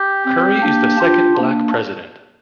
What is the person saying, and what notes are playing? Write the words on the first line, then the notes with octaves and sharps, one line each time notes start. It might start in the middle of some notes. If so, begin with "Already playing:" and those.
Curry is the second Black president.
Already playing: G4
C4
A#3 D4
D4 F4
A#3 D4